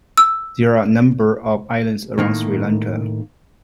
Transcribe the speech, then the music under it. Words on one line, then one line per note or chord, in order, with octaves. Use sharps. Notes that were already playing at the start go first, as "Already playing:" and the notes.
There are number of islands around Sri Lanka.
E6
A2 D#3 A#3